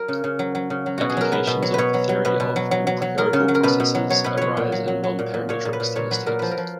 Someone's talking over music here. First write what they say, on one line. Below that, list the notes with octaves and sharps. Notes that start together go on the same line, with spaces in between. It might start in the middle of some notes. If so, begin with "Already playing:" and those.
Applications of the theory of empirical processes arise in non-parametric statistics.
Already playing: F#3 A#4
C#3
C#3
F#3
F#3
C#3
F#3
B2 F#4
G#4
F#3 A#4
F#3 B4
B2
F#3
B2 B4 C#5
F#3
F#3
B2 B4
B2
F#3
F#3
F#3
F#3
F#3 A#4
C#3
F#3
A#4
B2 B4
B2
F#3
F#3 C#5
B2 B4
F#3 C#5
A#2
F#3
F#3
F#3
A#2
A#2
A#2 C#5
A#2
B4
A#2
A#2 C#5
F#3 B4
A#2 A#4
F3 B4
A#4
F3